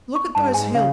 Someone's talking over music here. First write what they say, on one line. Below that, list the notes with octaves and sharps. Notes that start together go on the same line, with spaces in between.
Look at those hills!
C#6
G2 A5
G#2 G#5
C#3 F5